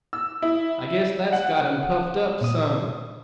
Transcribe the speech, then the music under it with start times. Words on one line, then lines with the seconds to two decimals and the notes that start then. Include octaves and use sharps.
"I guess that's got him puffed up some."
0.13 E6
0.42 E4
1.33 F#5
2.41 A#2 D#6